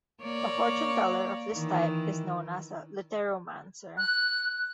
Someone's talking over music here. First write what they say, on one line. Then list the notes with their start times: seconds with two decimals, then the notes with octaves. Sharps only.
A fortune-teller of this type is known as a literomancer.
0.21 A#3 C#5 D5
1.54 D#3 E3
3.98 F#6